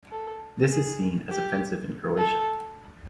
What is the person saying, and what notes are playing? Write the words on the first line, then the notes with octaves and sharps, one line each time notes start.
This is seen as offensive in Croatia.
A4
G#4
G4
A4